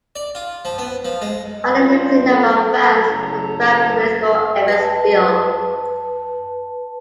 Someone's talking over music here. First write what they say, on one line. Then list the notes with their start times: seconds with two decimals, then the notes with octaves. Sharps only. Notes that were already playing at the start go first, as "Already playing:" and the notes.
Only a limited number of fans could cram into minuscule Ebbets Field.
0.16 D5
0.35 F4
0.65 F3
0.78 B3
1.05 F3
1.22 G#3
1.76 C#4 D4 F4 C5
2.29 A4 A#4
3.06 F#1 E2 A2 A4 A#5
4.68 B4 A5